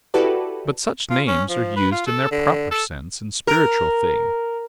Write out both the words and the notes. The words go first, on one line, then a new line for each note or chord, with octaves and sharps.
But such names are used in their proper sense in spiritual things.
E4 F#4 G4 A4 B4 D5
F4
C#4
F3
B4
F4
A4
D3
A4
A#4